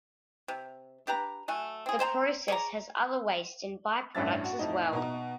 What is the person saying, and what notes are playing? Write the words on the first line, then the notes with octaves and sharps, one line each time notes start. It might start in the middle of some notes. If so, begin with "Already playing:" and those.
The process has other waste and byproducts as well.
C3
D4 G4 B4 A#5
F#3 A3 G#5
C4 G#4
C4 C5 G5 A#5
G#4 C#5 D5 A#5
A1 G2 C#4 D4 E5 A6
F#4
F2 A2 D#4
B2 D#4 A#5